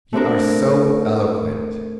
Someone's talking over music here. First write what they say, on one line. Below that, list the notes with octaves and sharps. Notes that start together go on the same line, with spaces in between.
You are so eloquent.
A3 C4 D4 A#4